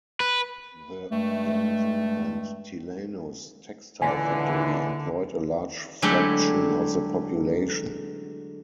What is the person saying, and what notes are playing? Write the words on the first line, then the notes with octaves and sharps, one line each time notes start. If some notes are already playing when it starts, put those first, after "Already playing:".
The Jansen and Tilanus textile factory employed a large fraction of the population.
B4
G2 G#3 A3
C#2 A#2 D3 E3 G#5
D3 F#3 G#3 A3 E4 G4